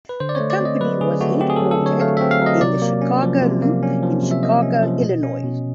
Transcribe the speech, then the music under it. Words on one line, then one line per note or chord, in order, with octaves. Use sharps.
The company was headquartered in the Chicago Loop in Chicago, Illinois.
B4
D3 C5
D5
A3 C#5
D5
C4 D#5
F#3 B4
D3 G#4
A3 F#4
C4 G4
G#4
F#3 A4
A4
D3
C#5
A3 F5
C4 E5
F5
F#3 D#5
C3 D5
A#3
C#4
F3
C3
A#3
C#4
F3
C3
E5
A#3 D#5
C#4
F3
B2
C#4
B2